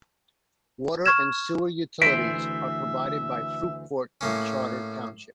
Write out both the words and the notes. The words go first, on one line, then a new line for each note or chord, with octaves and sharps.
Water and sewer utilities are provided by Fruitport Charter Township.
C#6 F6 G#6 E7
D2 E3 C5 E5 B6 D7
A2 A#3 C#4